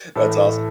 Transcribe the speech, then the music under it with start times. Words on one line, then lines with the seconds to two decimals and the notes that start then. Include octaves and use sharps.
that's awesome.
0.15 A2 E3 A3 A4